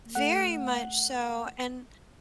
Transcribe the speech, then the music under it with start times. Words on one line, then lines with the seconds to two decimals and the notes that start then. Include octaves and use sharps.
Very much so, and
0.15 A3 F#5